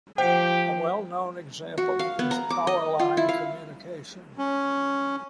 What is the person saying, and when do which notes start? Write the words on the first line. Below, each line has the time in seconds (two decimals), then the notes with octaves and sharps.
A well-known example is power line communication.
0.18 F3 G4 C5 F#5 G5
1.78 F#4
1.99 F5
2.19 B3
2.31 A#5
2.50 D6
2.67 D#5
2.99 F4
3.17 E4
3.29 F5
4.38 C#4